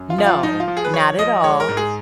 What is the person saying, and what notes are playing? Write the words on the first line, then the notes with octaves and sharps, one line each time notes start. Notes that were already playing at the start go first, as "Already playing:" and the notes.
No, not at all.
Already playing: F#2
F4
F3
F4
F3 D#4
F4
F3
G#4
B4
F3 C#5
F3 D#5
G#3 C#5
A#4
G#2
G#4